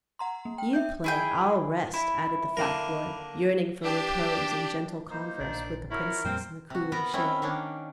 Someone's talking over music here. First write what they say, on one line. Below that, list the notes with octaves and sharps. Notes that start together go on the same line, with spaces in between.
'You play, I'll rest,' added the fat boy, yearning for repose and gentle converse with the Princess in the cooling shade.
F#5 A#5 C6
A#3
G5
E5 G6
E4 G#4 G5
E4
D3 A#3 A#4
D4 G4
A#3 D#4 C5
A#1 D4
E4 F#4 A#4 C#5
F2 A#2 G3 C4 C5 G5
C3 F#4
B3 A#4 B4 A#5
C4 C#4 E4
D#3 A#3 C#4 D4